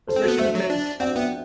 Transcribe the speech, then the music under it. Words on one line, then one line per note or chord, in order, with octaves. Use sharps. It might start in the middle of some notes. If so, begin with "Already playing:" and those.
especially because,
A4 C5
C4
B3 F#4 A4
A3 C5 E5
F#3
D4
C4 D5 F#5
B3 E5 G5